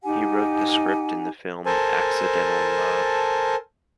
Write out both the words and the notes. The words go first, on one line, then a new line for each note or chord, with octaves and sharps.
He wrote the script in the film "Accidental Love".
D#4 G4 F#5 G#5
A4 A#4 C5 G#5 A5